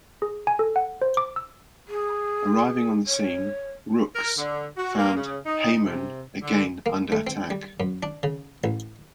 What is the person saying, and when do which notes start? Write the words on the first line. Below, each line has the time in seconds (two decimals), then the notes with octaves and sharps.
Arriving on the scene, "Rooks" found "Hyman" again under attack.
0.22 G#4
0.47 G#5
0.59 A4
0.76 F#5
1.02 C5
1.17 D6
1.36 E6
1.88 G#4
3.07 C#5
4.15 A#4
4.37 D3
4.76 F#4
4.98 A#3
5.16 C#3
5.46 D#4
5.84 C3
6.42 D3
6.86 A#3
7.12 A3
7.27 C4
7.50 G3
7.80 F#2
8.03 D4
8.23 C#3
8.64 A1